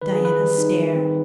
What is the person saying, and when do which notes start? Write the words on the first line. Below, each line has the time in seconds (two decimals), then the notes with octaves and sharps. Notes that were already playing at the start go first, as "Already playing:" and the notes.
Diana stared.
0.02 D#3 B4
0.12 G#4
0.20 C4 B4
0.39 G3
0.58 D#4
0.77 D#3
0.96 C4